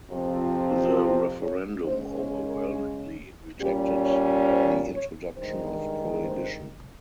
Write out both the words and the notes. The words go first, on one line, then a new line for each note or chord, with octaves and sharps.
The referendum overwhelmingly rejected the introduction of prohibition.
F2 C3 F3 C4
C5
C#5
C#3 G#3 C#4 C5
C5
A#4
G#4
A#2 G3 C#4 G4
C#5
C5
C#5
G2 D#3 G#3 C5
C5